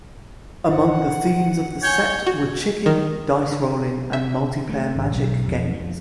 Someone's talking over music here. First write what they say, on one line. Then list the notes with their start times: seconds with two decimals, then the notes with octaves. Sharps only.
Among the themes of the set were chicken, dice rolling and multiplayer Magic games.
0.69 E4 C5 F#5
1.83 C#5 G5 G#5 G6
2.26 F#4
2.86 D#3
3.52 D3
4.13 E5
4.69 A3
4.96 G#1
5.14 B1
5.45 F2
5.73 F3